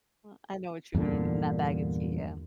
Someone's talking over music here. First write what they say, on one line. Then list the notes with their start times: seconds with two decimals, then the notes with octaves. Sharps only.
Well, I know what you mean, in that bag of tea, yeah.
0.95 E2 G2 A#2 D3